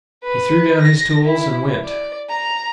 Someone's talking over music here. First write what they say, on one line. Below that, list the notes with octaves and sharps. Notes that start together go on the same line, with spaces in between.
He threw down his tools and went.
B4
A#6
E4
D5
A#5